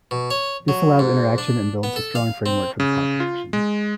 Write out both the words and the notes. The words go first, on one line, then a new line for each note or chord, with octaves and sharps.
This allows interaction and builds a strong framework for the plot progression.
B2
C#5
F#3
G#2
D4
B3
A4
F5
C4
C#3
F4
G#3